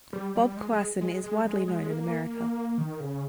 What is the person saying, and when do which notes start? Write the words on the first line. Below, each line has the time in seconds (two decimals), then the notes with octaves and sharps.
Bob Coassin is widely known in America.
0.13 G3
0.35 G3
0.57 G#3
0.73 G#3
1.01 G#3
1.23 G#3
1.45 G#3
1.68 G#3
1.90 A#3
2.78 D#3
3.00 C#3